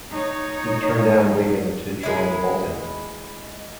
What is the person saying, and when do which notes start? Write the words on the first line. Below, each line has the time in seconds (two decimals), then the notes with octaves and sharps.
He turned down Wigan to join Bolton.
0.11 D#4 C#5
2.03 G#3 E4